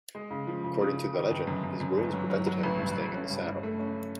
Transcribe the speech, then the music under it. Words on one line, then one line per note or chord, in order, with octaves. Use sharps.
According to the legend, his wounds prevented him from staying in the saddle.
G#3
C#3
F3
C#3
C#3
C#3
D#3
G1
F#2
F#2
F#2
G1
F#3
F#3
F#3
A1
G2
G2
C#4
G2
G2
A3
C#4